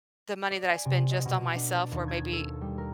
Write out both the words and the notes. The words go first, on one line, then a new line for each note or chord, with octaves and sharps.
the money that I spend just on myself where maybe
D5
G#5
C3
D#5
B2
D4
A5
D#2
G#6
A4
G3
A#4